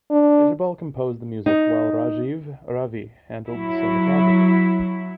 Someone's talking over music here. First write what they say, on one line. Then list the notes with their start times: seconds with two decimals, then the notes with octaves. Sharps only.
Bijibal composed the music while Rajeev Ravi handled the cinematography.
0.11 D4
1.46 D#4
3.47 F#3 E4